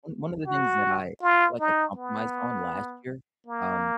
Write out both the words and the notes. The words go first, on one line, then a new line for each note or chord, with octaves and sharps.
one one of the things that I I felt like I compromised on last year- um,
F#4
F4
D#4
B3
A#3